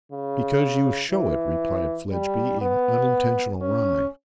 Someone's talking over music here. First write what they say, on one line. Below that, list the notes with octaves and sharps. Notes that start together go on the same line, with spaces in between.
'Because you show it,' replied Fledgeby in unintentional rhyme.
C#3
E3
G3
B3
C#4